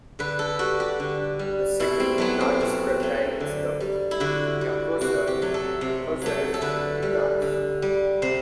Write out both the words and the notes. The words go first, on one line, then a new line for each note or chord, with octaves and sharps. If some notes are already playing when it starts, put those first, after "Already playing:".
The second largest reptile is the champsosaur "Champsosaurus gigas".
D3 B4
A4
G3 F#4
G4
D3
G3
B2 E4
C4
F#3 A3 B3
C4
B2
F#3 A3
D3
G3
E4
D3 F#4
G3
C3 F#4
G4
F#3 A3
A4
C3
F#3 A3
A4
D3 B4
G3
D3
G3
C3 C5